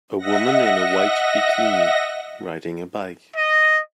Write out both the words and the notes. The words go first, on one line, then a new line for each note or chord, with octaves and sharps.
A woman in a white bikini riding a bike.
D#5 E5 F#5 A#6
D#5